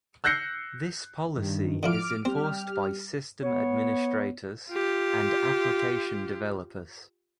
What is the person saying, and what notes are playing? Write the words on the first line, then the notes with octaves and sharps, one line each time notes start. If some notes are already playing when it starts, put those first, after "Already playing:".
This policy is enforced by system administrators and application developers.
E6 F#6 G6 A#6 C7 C#7
G2 D#3
D3 F3 E4 D6 F6 D7
G3 C4 G4 F6
B3 C#5
F4 G4